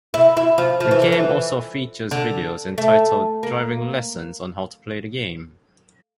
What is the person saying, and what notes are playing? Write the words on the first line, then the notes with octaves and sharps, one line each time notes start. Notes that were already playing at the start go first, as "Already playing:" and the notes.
The game also features videos entitled driving lessons on how to play the game.
E4
E4
F3
F3
E3
D3
E3
D3
A3
A#3